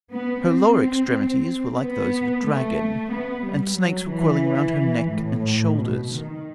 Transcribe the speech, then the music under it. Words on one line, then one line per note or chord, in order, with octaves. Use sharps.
Her lower extremities were like those of a dragon, and snakes were coiling round her neck and shoulders.
B3
C4
B3
A3
B3
G3
F#3
E3
A2
B2
D#3